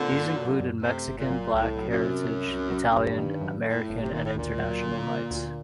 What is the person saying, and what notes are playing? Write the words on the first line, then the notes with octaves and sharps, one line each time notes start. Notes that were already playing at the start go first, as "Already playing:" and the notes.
These included Mexican, Black Heritage, Italian, American and International nights.
Already playing: A#2 D3 C4
G1
F#3
F#2
C3 A3
G1
A#2
F#3
C2 A2
F#3
F#2
C3
C2
C2
F#3
F#2
G1 G2
D#3
F#2
A2 A3
G1
C3
A#2 D#3
A2
D2 A#2
F#3
D3
A#3
D2